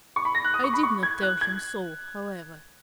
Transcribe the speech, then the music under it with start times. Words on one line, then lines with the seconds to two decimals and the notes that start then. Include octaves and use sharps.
I did not tell him so however.
0.16 C#6
0.25 B5
0.35 A#6
0.44 F#6
0.54 D#6
0.64 C#6
0.73 B5
0.83 C#6
1.03 G#6
1.22 F#6
1.41 G#6